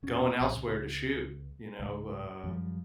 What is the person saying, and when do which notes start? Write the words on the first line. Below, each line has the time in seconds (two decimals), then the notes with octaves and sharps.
going elsewhere to shoot, you know, uh,
0.03 E1 C#4
0.40 A#1
0.57 C#2
1.79 C#2 G#2
2.44 F#2 F3 G3